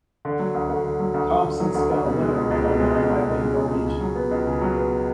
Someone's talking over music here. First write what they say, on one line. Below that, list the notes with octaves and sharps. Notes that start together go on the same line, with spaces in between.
Thompson spent a winter there while mapping the region.
D3
F#3
D2
D2
D3
F#3
D2
D2
D3
F#3
D2
D2
B2
G#3
C#2
C#2
B2
G#3
C#2
C#2
B2
G#3
C#2
C#2
C#3
F#3
B3
C#2
C#3
F#3
B3